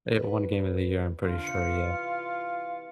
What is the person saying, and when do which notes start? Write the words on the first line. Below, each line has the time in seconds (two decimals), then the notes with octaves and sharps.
It won Game of the Year, I'm pretty sure, yeah.
0.15 B4
1.22 D3 F4 F5
1.47 C3 E3 C#7